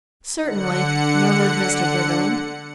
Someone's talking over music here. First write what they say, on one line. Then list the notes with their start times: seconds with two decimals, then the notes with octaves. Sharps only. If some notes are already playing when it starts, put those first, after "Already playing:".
"Certainly," murmured Mr. Briggerland.
0.41 D3 F#5 C#7